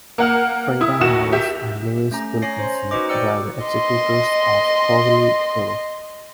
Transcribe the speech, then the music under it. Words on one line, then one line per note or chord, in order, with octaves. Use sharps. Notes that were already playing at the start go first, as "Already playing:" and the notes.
Frieda Harris and Louis Wilkinson were the executors of Crowley's Will.
A#3 F#5 F6
E4 D#6
D#2 F#4 E7
G4 E5
A3 C#4 A#5
C#4 C#5 G#5 A#6 C7
C5 C6
A#5
D#4 F#4 B4 C5 D#5 D6
C5 D5 G5 E6 F6 C#7
D#5 C6